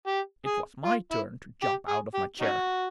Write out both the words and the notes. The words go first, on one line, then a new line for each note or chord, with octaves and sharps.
It was my turn to jump out of my chair.
G4
G#4
F4
E4
G4
G#4
G4
C#4 D#4 F#4